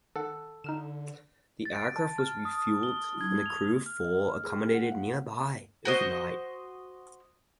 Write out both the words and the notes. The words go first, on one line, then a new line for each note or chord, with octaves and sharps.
The aircraft was refuelled and the crew of four accommodated nearby overnight.
D#3 A4 F#5
D3 D#4 F6 E7
A6
D7
A5
F6
D#6
G7
G#6
F7
F6
D#5
F6
G#4
G5
F#5
F5
F#4 C5 D#5